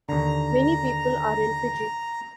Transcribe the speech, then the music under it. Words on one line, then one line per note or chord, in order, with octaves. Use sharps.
Many people are in Fiji.
D#2 D3 A#5